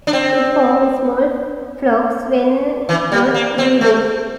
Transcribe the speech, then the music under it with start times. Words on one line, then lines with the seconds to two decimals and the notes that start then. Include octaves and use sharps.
It forms small flocks when not breeding.
0.07 D4
0.13 C4
2.89 E3
3.12 G3
3.34 A#3
3.58 C4
3.81 A3